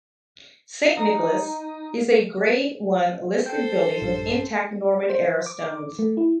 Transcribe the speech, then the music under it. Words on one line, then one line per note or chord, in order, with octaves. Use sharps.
Saint Nicholas's is a Grade One listed building with intact Norman era stones.
D#4
A4 C5 G5
A#1 G2
C5
D6
A3
E4